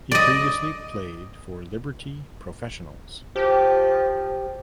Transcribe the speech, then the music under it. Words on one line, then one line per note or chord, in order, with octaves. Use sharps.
He previously played for Liberty Professionals.
D5 D#5
F3 G4